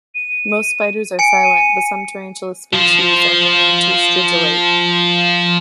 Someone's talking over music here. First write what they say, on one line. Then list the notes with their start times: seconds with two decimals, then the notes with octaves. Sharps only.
Most spiders are silent, but some tarantula species are known to stridulate.
0.15 D#7
1.19 G#5 C#7 D7
1.44 D#7
2.73 F3 C5